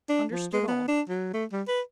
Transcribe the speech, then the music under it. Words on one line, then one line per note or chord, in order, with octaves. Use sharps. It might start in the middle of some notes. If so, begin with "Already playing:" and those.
Understood all.
D4
F3
G#3
B3
D4
F#3
A3
G3
B4